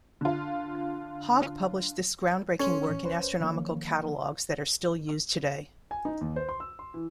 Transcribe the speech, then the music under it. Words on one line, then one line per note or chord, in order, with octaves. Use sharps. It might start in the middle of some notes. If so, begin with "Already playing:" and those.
Hogg published this groundbreaking work in astronomical catalogues that are still used today.
D3 F4
C#4 A4 C6
A2 E3
C2 B4 C5
D#3 F3 A#3
G#5
D#4
D#2
C5
C6
E6
C6
E3